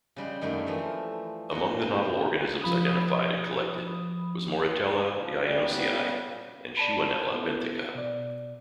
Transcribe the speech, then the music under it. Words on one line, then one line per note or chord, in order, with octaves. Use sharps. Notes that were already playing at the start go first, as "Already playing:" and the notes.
Among the novel organisms identified and collected was "Moritella yayanosii" and "Shewanella benthica".
C#3 G3 G#3
F#2 D#3 G3 A3 A#3
E3 F3 A3
A#2 F#4
C3
F3 B5 D#6
C#2 F3
C#3 G3 D5
B3
A#2
D5 A5 B5
B3 E4 A4
B2 D5